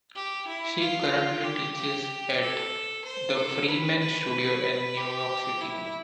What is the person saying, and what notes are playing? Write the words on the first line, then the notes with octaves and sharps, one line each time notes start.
She currently teaches at the Freeman Studio in New York City.
G4
E4
F4
G4
G4
A4
C5
A4
B4
B4
G4
E4